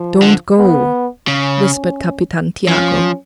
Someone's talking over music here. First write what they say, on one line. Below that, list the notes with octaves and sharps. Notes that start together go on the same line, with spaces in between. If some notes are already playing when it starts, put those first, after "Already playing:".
"Don't go!" whispered Capitan Tiago.
Already playing: F3
D3
B3
C#3 C#4
F3 C#4